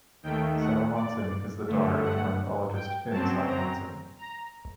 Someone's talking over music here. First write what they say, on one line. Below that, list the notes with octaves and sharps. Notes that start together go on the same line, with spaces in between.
Salomonsen is the daughter of ornithologist Finn Salomonsen.
D#2 D#3 A3 G5
F#5
D5
G2 D3 A3
F#5
G5
F#2 F#3 C4 A5
A#5
A#5